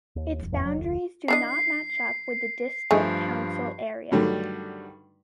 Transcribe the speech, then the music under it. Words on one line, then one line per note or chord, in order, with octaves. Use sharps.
Its boundaries do not match up with the District Council area.
D#2
F1 F3
E2 A2
F#3
D2
E3 D4 D#5 C7
G2 F3 A3 G#4
G2 D3 D#3 F#3 G3 A3